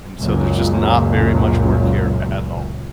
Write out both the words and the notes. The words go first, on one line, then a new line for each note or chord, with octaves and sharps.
And so, there's just not very much work here at all
C#2 F#2 A#2